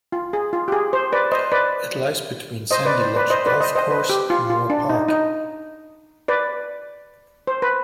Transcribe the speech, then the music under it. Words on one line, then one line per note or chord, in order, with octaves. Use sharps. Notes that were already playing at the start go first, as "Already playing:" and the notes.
It lies between Sandy Lodge Golf Course and Moor Park.
F4
G#4
F4
G4
G#4
C5
B4 D5
C5 D#5
B4 D5
C5 D#5
B4 D5
C5
B4 D5
C5 D#5
B4 D5
C5 D#5
C5 D#5
B4
G4
F4
F4
D4
D#4
D#4
B4 D5
C5
B4